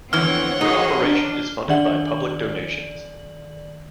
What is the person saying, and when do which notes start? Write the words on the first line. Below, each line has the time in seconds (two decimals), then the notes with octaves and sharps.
Her operation is funded by public donations.
0.13 E2 D3 E3 F3 C4 C#5 F#5 F6
0.61 F3 D#4 F#4 G#4
0.98 D4
1.68 D#3 D4 D5 E5 F#5 F#7